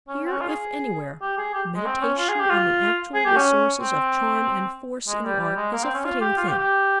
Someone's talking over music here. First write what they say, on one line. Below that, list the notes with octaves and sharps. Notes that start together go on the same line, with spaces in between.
Here if anywhere meditation on the actual resources of charm and force in the art is a fitting thing.
C#4
C4
C#4
F4
G#4
G4
G#4
G4
G#3
C4
C#4
F4
G#4
G4
F4
G#4
G4
C#4
C4
G#3
G3
G3
G#3
A#3
C4
C#4
F4
G4
F4
G4
G4